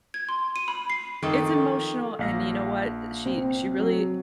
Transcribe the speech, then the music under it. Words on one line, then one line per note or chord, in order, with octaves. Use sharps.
It's emotional, and you know what? She she really
G#6
C6
D#7
B5
C7
F2 D#3 A4 D#5
A#1 F5 A#6
C4
F#3